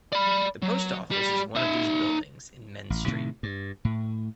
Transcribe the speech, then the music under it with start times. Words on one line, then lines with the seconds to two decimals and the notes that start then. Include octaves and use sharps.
The Post Office is one of these buildings in Mends Street.
0.12 D5 B5
0.62 F#3
1.11 G3
1.55 D#4 E5
2.90 A1
3.06 A2 C3 D#3
3.43 G2
3.85 A2